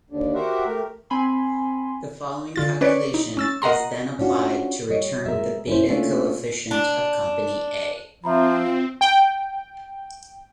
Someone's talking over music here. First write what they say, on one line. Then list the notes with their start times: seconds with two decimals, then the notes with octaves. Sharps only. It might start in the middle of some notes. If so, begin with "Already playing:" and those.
The following calculation is then applied to return the beta coefficient of company A.
0.10 D#2 D3
0.35 F#4 G4 A#4 C5 E5 F#5
0.66 A3 G4 A#4
1.10 C4 G#5 B5 C6
2.56 D3 F4 A6
2.81 C#4 B4 C#5 D5
3.14 D#4
3.37 C#4 E6 A6
3.62 A#4 D#5 F#5 A#5 C6
4.19 C#4 D4 F4 F#4
4.89 G3 C#5 D#5
5.26 G#3 A#4 E5
5.67 C#4 E4 C5
5.89 A3 A#3 C#4 D4 F4
6.71 D4
8.24 F3 C4 F4 E5 A#5 B5
9.01 G5